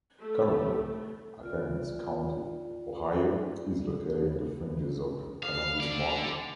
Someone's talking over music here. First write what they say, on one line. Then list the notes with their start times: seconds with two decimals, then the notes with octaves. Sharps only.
Currently Athens County, Ohio is located in the fringes of the Columbus market.
0.20 A3
1.43 F4 D5
5.43 F5
5.80 D3 D5